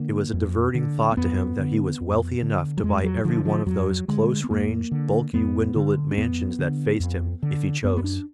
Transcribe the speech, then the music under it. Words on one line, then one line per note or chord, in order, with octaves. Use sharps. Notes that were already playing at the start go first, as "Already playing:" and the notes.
It was a diverting thought to him that he was wealthy enough to buy every one of those close-ranged, bulky, window-lit mansions that faced him, if he chose.
Already playing: D3 A#3
F2
D3
A#3
F2 B3
D3
F2
D3
F#3
F2 G#3
F#3
D3 F3
F3
F2 F#3
D3 G#3
B3
F2 A#3
D3
F2 B3
D3
D4
F2 B3
D3
F2
D3
F#2 B3
B3
D4